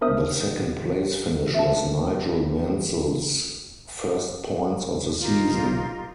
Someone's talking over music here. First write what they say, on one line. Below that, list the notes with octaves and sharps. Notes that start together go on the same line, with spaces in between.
The second-place finish was Nigel Mansell's first points of the season.
B3 D4 A#4 C5 E5 D#6
E5 A5
D#4 F4 G4 A#4